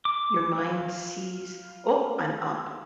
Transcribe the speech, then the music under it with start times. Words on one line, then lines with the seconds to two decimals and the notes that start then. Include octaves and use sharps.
your mind sees, "Oh, I'm up."
0.05 D6
0.58 F4